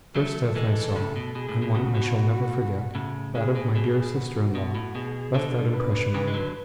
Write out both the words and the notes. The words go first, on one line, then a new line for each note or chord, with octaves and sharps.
The first death I saw, and one I shall never forget--that of my dear sister-in-law--left that impression on me.
F#3 A3 A4
E3 G#3
A2 C#3
B2
B2 G#4
A2
B2
A2 C#3 F#4
B2
A2 C#3
A2 C#3 G#4
B2
B2 G#4
F#4
B2
A2
B2 G#4
B2 D3 A4
B4
C#3 E3
G#3
D3 F#3